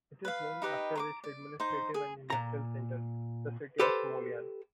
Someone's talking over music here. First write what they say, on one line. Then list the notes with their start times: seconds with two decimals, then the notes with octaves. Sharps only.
It is named after its administrative and industrial centre - the city of Smolyan.
0.25 B4 F5
0.62 D#4 G4 B4 D#5
0.96 A#5 C6 D6
1.24 D5
1.60 D#4 C5
1.94 G#4
2.30 A#2 A#5
3.80 G4 A4 B4 C5